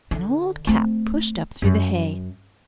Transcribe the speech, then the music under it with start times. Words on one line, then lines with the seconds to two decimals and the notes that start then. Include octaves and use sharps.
An old cap pushed up through the hay.
0.11 D3
0.67 A3 C4
1.62 F#2